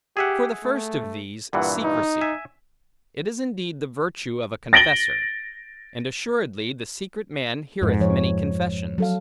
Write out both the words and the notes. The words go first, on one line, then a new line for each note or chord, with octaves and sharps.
For the first of these, secrecy; it is indeed the virtue of a confessor. And assuredly, the secret man heareth many confessions.
G4 G#4 E5 F#5
A3
G2 A#2 E3 F#5
D#4
E5 G#5
A6 A#6 D7 F#7 G7
F2 G#2
F3 C#5
F#3 A4 F5